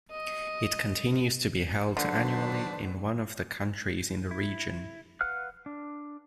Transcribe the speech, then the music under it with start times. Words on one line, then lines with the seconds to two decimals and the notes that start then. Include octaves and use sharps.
It continues to be held annually in one of the countries in the region.
0.11 D#5
1.97 D3 D#3 F#3 D4 B4 C5 D5
4.31 E4
5.21 B4 F5 F#5 F6 F#6
5.66 D4